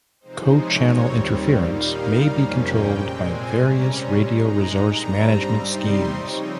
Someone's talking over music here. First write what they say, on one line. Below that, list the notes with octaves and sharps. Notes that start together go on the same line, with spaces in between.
Co-channel interference may be controlled by various radio resource management schemes.
C3 F3 G#3 C4 D#4 C5
C#5
D#2 D#3 G3 C4
A#2 G3 A#3 D#4 F5
F2 C3 G3 A#3 C#4
G5
A#2 G#3 C4
G#5
C3 G3 C#4 A#5
C6
A#2 G#3 D#4 A#5
G2 G3 C4 A#5
C3 G3 C4 D#4 C6
C#3 F3 C4 D#4 C#5